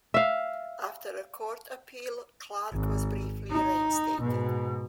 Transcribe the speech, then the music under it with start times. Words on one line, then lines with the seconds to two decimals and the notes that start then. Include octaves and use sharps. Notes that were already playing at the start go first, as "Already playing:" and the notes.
After a court appeal Clark was briefly reinstated.
0.14 E5 F5
2.73 G#1
3.51 D#4
4.21 G#2 B2